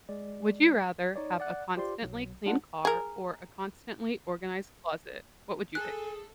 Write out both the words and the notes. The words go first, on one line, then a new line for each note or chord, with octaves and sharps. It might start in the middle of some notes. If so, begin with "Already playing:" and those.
Would you rather have a constantly clean car or a constantly organized closet? What would you pick?
G#3 D5
D#4 C#5 D5
D5 F#5 F#6
F4 G4 C5 D5 C6
B1 F#3
G#3 D4 D#4 F4 F#5
G#4 A#4
G#4 A4 G#5 F#6